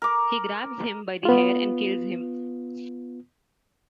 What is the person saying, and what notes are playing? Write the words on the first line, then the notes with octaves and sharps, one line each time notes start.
He grabs him by the hair and kills him.
A#4 D6
B3 F4